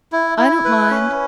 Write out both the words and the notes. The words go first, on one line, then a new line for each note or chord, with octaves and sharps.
"I don't mind."
E4
E4
B4
C#4